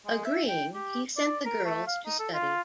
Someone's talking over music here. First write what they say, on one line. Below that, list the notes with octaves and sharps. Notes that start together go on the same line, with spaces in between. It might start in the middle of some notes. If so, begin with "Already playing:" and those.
Agreeing, he sent the girls to study.
G#3
E5
G5
G4
D5
A#4
A3
F5
D#4
A4
F4